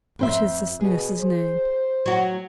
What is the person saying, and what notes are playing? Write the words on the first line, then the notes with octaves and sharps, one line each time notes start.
"What is this nurse's name?"
F2 C5 E5
B2 G#4
C5
F#3 F#4